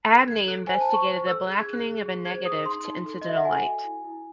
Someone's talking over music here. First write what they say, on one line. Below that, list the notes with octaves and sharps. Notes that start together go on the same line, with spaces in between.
Abney investigated the blackening of a negative to incidental light.
A4 F#6
A4 G#6
A4 F#6
C5 G#5
A5
C5
C#6
C5
A4 E6
G#4 F#6
G#6
G#4
F#6
G#4
G#4
C5 G#6
G#4 D#6
D#4 C6
D#4
A4
D#5
F#4 E5
F#5
A4 G#5
F#4
E4
E4